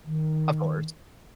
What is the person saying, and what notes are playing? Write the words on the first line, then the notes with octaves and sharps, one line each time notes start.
Of course.
D#3